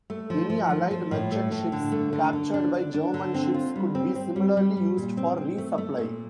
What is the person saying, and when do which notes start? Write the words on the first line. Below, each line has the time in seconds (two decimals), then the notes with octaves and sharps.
Any Allied merchant ships captured by German ships could be similarly used for resupply.
0.10 A3
0.30 F3
0.50 F3
0.70 A3
0.91 F3
1.11 A2
1.31 A3
1.52 A2
1.72 D3
1.92 A3
2.13 D3
2.33 D3
2.54 D4
2.74 D4
2.94 D4
3.14 D3
3.34 C4
3.54 F4
3.76 G3
3.95 C4
4.15 C4
4.36 G3
4.57 G3
4.77 G3
4.97 A#2
5.17 C4
5.37 C4
5.58 A3
5.78 A3
5.98 A#2